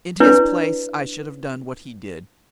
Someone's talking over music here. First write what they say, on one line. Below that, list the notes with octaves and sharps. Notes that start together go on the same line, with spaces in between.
In his place I should have done what he did.
D4 E4 B4 C#5 D5